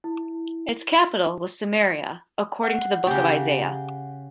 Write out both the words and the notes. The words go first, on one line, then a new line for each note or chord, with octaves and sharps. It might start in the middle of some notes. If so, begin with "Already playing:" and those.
Its capital was Samaria according to the Book of Isaiah.
E4
F#5
C#3 G4